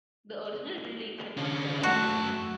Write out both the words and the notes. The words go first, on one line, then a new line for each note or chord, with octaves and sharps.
The original buildings have not survived.
D3 C#4
F#2 A3 F#4 A5